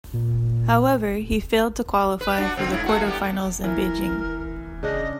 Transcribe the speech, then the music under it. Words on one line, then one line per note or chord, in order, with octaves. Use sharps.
However, he failed to qualify for the quarter finals in Beijing.
A#2
B4
D4 F#4
C#3 C4
G#2 E4
A3 F#4
G3 B3 G4
E3 A#4
C#3 D4 D#5